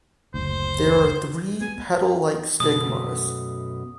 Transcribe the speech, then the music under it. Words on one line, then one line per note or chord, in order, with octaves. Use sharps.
There are three petal like stigmas.
F#1 D2 C5
B3 G#5
F#2 B2 A3 D#6